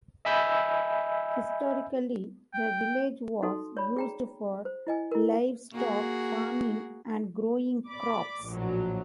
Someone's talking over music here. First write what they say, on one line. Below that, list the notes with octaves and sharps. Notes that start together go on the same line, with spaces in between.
Historically, the village was used for livestock farming and growing crops.
D#5 E5 G#5 B5 E6 G6
G5
D#4 F#4 A4 C6
C#5 D5 B5
G#4 G5 A#5
C5
E4 D#5 G#5
E4 A#4
A#3 F#4 G#4
D5 B5 D6
A#1 A2 F#3